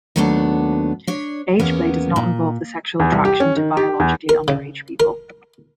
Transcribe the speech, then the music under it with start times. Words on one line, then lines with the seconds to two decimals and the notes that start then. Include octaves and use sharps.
Ageplay does not involve the sexual attraction to biologically underage people.
0.16 D#2 F#3 A3 B3 C4 D4
1.07 D4 C#5
1.60 E2 A#3 B3 C#4
2.16 A#2
3.00 E2
3.12 C2
3.25 G4
3.40 C#4
3.56 D#3
3.77 G4
4.00 E2
4.29 A#4
4.48 C#3
5.00 A#4